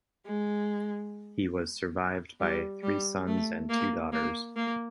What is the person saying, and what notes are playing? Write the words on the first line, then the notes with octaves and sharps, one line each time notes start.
He was survived by three sons and two daughters.
G#3
G3
G3
A3
A#3
A#3
A#3